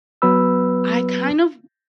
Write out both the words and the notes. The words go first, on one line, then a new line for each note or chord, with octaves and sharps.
I kind of
F#3 B3 B4 B5 E6